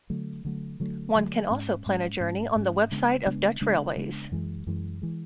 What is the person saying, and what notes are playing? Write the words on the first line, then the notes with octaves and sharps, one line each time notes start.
One can also plan a journey on the website of Dutch Railways.
D3 F#3 A3
D3 F#3 A3
D3 F#3 A3
D3 F#3 A3
G#2 G#3 C#4
G#2 G#3 C#4
G#2 G#3 C#4
G#2 G#3 C#4
C#3 G#3 B3 D4
C#3 G#3 B3 D4
C#3 G#3 B3 D4
C#3 G#3 B3 D4
F#2 E3 G#3
F#2 E3 G#3
E3 G#3